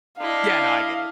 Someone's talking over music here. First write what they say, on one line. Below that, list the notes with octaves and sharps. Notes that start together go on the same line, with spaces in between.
Yeah, no, I get it.
D4 E4 D#5 F5